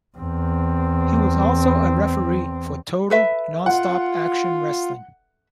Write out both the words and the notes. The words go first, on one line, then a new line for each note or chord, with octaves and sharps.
He was also a referee for Total Nonstop Action Wrestling.
E2 C4
A4 B4 E5
F4 F#5